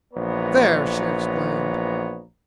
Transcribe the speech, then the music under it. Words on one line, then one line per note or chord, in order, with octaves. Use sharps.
"There!" she exclaimed.
A#1 E3 B3 C#5 A#5